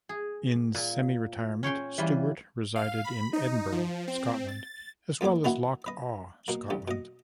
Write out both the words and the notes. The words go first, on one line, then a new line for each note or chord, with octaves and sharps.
In semi-retirement Stewart resided in Edinburgh, Scotland as well as Loch Awe, Scotland.
G#4
A#2
C#4 C#5 G5 C6
E3 G3 F4
F5
B5
D#4
F3
C4
A6
F2 A#3 B3 C#5 D6
D#3 E3 D#4 E4 F#4 F#5
B4 D#5
B2 A#3
A1 G2 G4
B2 D#5